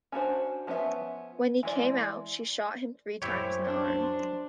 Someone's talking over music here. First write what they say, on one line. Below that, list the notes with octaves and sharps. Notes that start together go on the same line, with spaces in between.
When he came out, she shot him three times in the arm.
C#4 D4 F#4 C5
F3 B3 C#4 G#4 E5
E3 G#3 D5
F#2 F#3 E4 G4 C5 C#5
D4